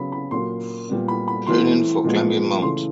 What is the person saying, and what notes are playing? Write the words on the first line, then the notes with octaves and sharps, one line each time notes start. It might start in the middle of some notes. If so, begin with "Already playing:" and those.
Training for climbing Mt.
Already playing: C#3 F#3 B3 B5
B5
A#2 F#3 A#3 C6
A#2 G3 B3
B5
B5
E3 A3 C4 C6
A#2 F3 G#3 B3
C#3 E3 A3 C6